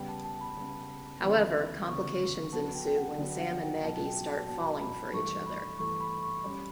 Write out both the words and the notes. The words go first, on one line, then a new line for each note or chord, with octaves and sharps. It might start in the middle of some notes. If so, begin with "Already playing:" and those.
However, complications ensue when Sam and Maggie start falling for each other.
Already playing: C#3 G3 B3 G5
A5
A5
B5
C#3 G3 B3
D2 C#3 E3 B3
D2 C#3 E3 B3 C#6
D3 F#3 B3 A5
G5
G5
F#5
D3 F#3 B3 D5
F#5
G5
B2 F#3 B3 A5
A5
G5
G5
A5
B2 F#3 B3 A5
B5
G2 E3 A3 C#6
B5
G2 E3 A3 C#6
B5
C#6
G3 C#4 G4 D5 B5